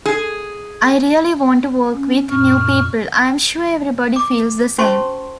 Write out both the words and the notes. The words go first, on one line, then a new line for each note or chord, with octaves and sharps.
I really want to work with new people, I'm sure everybody feels the same.
G#4
C#4
F#2 A#2 C#6 F6
D6
C#4 F#4 C5 A5 C6 C#6